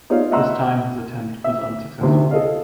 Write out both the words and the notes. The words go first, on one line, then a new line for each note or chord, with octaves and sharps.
This time his attempt was unsuccessful.
D#4 F4 G#4 C#5 D5 F5
D#5 E5 F#5 A#5 C6 E6
E5
D2 C3 D#3
G#4 A4 D#5 F5